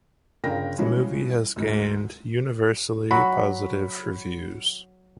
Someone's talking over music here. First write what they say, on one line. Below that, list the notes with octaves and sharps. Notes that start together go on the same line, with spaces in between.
The movie has gained universally positive reviews.
G1 C#3 A#4 G5 A#6
B2 E3 F3 G3 G#3 C#4
D2 G#2
F#3 F#4 B5